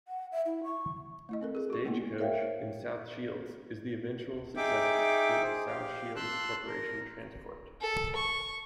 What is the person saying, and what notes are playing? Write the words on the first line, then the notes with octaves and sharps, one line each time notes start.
Stagecoach in South Shields is the eventual successor to South Shields Corporation Transport.
F#5
E5
E4
C#6
A3 E4 D#5
C4 A4 A#4
G#4 A#4
F#4 C#6
G#3 A#3 B3 E4
A#4 C5 C#5 E5 F5 G5
D#4 G#4 E5 G5 D6
G#4 C5
G4 F5
A5 C6 E6 F#6
A#4
A4
C#6